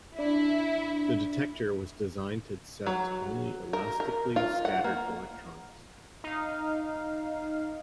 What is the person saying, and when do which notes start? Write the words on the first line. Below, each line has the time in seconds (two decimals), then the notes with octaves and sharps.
The detector was designed to accept only elastically scattered electrons.
0.19 D4 E4
2.86 F#3
3.73 A#4
4.00 A#4
4.36 F4
4.65 F#5
4.84 A#3
6.24 D#4 F5